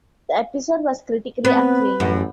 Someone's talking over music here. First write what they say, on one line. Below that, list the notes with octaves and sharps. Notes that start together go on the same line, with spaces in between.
The episode was critically acclaimed.
B3 C4 B4
A1 F#2